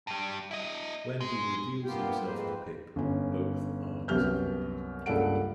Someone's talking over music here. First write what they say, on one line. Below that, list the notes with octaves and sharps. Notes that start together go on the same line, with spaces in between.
When he reveals himself to Pip, both are disappointed.
G2 G3
E4 D#5
G#3
G2 A#3 B3 F4 G4 G5
F2 G#2 A#3 C4 B4 C5
G1 C#4
C2 F#2 B3 G4 F6 G6
C#2 G2 A#3 A4 F#5 D7